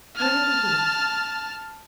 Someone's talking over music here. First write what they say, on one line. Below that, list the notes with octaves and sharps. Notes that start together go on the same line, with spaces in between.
Where have you been?'
A5 F6